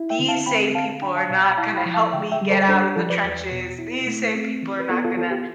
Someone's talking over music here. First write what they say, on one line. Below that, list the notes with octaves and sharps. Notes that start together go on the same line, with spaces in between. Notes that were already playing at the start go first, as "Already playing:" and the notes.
these same people are not gonna help me get out of the trenches, these same people are not gonna
Already playing: E4
E5 G5
D3
F5 A5
C4 G5 B5
D3 F5 A5
D4 G5 B5
F5 A5
B2 F5 A5
G5 B5
E4 F5 A5
G5 B5
F3
F5 A5
D3 E5 G5
E5 G5
G3
A4 C5
D4 A4 C5
G4
F3 F4 A4
B4 D5
E2
B2
E4
A3
C4
E3
B4
B3 F4 A4
F4 A4
E3 F4 A4
G4